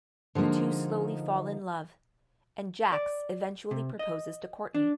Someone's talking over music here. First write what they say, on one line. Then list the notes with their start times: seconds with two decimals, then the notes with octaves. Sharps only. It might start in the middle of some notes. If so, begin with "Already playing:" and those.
The two slowly fall in love and Jax eventually proposes to Courtney.
0.35 D3 F3 G#3 A#3 D#4
2.92 D5
3.71 C3
3.99 D#5
4.74 D4